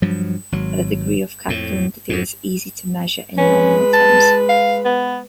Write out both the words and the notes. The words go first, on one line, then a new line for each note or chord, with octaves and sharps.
The degree of capital intensity is easy to measure in nominal terms.
G2 F3 F#3
G#1 F#3
F2 A2
F2 G#2
G#3 C#4 B4
A5
F5
B3